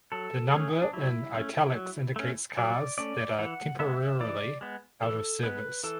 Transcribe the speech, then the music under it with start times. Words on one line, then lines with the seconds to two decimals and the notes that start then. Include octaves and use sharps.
The number in "Italics" indicates cars that are temporarily out of service.
0.12 F#3 A4
0.53 A3 C#4 G#4
0.82 D4
0.93 F#3 E4
1.34 A3 C#4
1.75 F#3
2.16 A3 C#4
2.57 F#3 D5
2.98 A3 C#4 D5
3.39 E3 F#5
3.79 G#3 B3 E5
4.20 E3 D5
4.61 G#3 B3
5.03 E3 A4
5.43 G#3 B3 B4
5.84 E3 A4